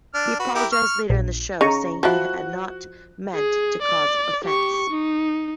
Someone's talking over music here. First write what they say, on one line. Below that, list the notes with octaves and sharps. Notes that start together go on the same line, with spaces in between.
He apologised later in the show, saying he had not meant to cause offence.
D4 F6
F#4 B4
E4 G4 A#4
C#6 F6
A#1
C#3 D#4 A#5 C#6
F3 E4 F#4 F#6
G#4
D5
G4 C#6
D#4